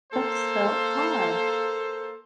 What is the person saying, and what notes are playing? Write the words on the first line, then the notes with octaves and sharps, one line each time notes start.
That's so odd.
A#3 A4 C5